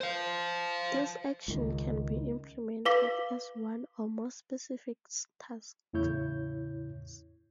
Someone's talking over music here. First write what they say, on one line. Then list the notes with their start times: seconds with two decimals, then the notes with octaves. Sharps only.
This action can be implemented as one or more specific tasks.
0.01 C5 F5
1.48 C#2 D#3
2.85 B4 F5 D6 B6
5.93 E2 A2 C#3 E4 C#5 G6